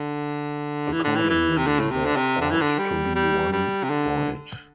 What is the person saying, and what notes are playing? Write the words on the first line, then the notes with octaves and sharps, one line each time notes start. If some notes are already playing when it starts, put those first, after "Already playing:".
Accordingly there ought to be one for it.
Already playing: D3
E3
D3
E3
E3
C3
D3
A2
C3
D3
C3
D3
E3
D3
G3
G3
G3
C3
D3